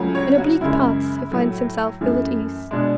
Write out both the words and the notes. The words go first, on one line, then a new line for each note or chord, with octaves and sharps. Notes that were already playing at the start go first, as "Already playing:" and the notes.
In oblique paths he finds himself ill at ease.
Already playing: C#2 C#3 F#3 A3
C#5
F#4
F#2 C#3 G#3 E4
A2 F#3 A3
F#2 E3 A3
B2 G#3 D4